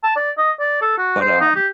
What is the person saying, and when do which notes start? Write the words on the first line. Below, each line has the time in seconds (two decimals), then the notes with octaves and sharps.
but, um,
0.04 A5
0.16 D5
0.38 D#5
0.60 D5
0.82 A4
0.98 F#4
1.21 C5
1.41 D#4
1.56 G4